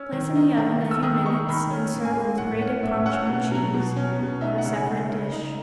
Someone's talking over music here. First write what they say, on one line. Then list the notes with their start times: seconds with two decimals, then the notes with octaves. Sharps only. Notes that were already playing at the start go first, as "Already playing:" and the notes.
Place in the oven a few minutes and serve with grated Parmesan cheese on a separate dish.
Already playing: C#4 E6
0.12 D#3
0.36 D#4
0.58 D#3
0.81 A3
0.91 E6
1.03 D#3 D#6
1.25 D#4 C#6
1.48 D#3 B5
1.70 C#4
1.93 A2
2.05 G#5
2.16 G#3
2.38 A2 F#5
2.60 C#4 F#5
2.83 A2 E5
3.06 C#4 F#5
3.29 B2
3.52 F#3
3.74 B2
3.96 C#4
4.19 B2
4.41 D#4 E5
4.58 F#5
4.64 C#3
4.76 G#5
4.86 G#3
5.09 C#3
5.32 D#4